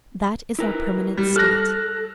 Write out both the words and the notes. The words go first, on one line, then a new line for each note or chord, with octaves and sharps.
That is our permanent state.
E4 A#4 B4
G3
A4 F6 F#6 A#6